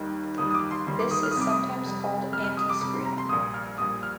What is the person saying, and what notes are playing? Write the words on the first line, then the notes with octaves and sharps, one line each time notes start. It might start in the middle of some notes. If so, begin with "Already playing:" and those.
This is sometimes called "antiscreening".
Already playing: D#2 D#3 G3
D#2 D#3 G3 D#6
D#6
D6
C6
D#2 D#3 G3 C6
D6
D#6
F6
D#6
F2 C3 G3 D6
D#6
F2 C3 G3
F2 C3 G3 F6
F6
D#6
D6
F2 C3 G3 D6
C6
A#5
C6
A#1 A#2 G3 D#6
F6
A#1 A#2 G3 D#6
F6